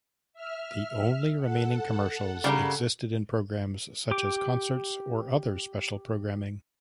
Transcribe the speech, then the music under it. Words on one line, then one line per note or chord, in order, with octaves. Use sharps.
The only remaining commercials existed in programs such as concerts or other special programming.
E5 F6
A4 F#5
C#3 G3 G4 A#4
G4 D6